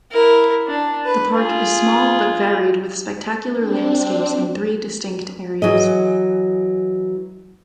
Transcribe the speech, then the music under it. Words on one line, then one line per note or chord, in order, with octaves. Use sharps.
The park is small but varied with spectacular landscapes in three distinct areas.
E4 A#4
D4
B4
F4 G#4
C4 D4
E3 F#3 G#4 D#5